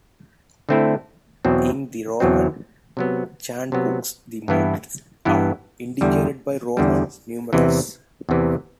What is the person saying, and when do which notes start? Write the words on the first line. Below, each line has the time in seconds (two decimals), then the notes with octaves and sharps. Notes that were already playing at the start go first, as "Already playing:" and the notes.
In the Roman Chantbooks the modes are indicated by Roman numerals.
0.69 D3 A3 C4 E4
1.45 E2 B2 F#3 C4
2.20 E2 B2 F#3 C4
2.97 C3 F#3 B3
3.72 C3 F#3 B3
4.48 G2 E3 B3 E4
5.25 G2 E3 B3 E4
6.01 E2 D3 G3
6.77 E2 D3 G3
7.53 E2 C3 E3
8.29 E2 C3 E3